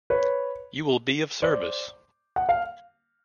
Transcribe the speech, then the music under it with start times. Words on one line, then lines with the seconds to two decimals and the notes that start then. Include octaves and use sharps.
You will be of service.
0.10 B4 C#5
1.42 C5 D5
2.36 F#5
2.49 F5